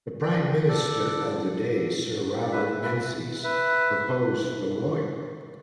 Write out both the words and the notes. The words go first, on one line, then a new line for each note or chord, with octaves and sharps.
The Prime Minister of the day, Sir Robert Menzies, proposed the 'royal'.
D5 G5
A4 D5
D5
B4 E5
B4 E5
B4 E5